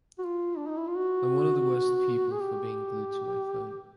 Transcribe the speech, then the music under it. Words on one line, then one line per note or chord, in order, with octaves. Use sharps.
I’m one of the worst people for being glued to my phone.
F#4
F4
D4
D#4
E4
F4
F#4
G#4
G4